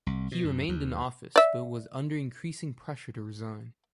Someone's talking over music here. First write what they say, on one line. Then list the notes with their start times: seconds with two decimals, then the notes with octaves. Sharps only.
He remained in office, but was under increasing pressure to resign.
0.07 C2
0.32 B2
0.44 F#2
0.69 D#2
1.36 D5 E5